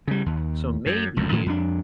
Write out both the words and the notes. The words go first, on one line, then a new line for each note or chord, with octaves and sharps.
So maybe
C#3 G3
D#2
F#2
F1 C#2 F#2
A2 D#3 E3 A3
F2 D4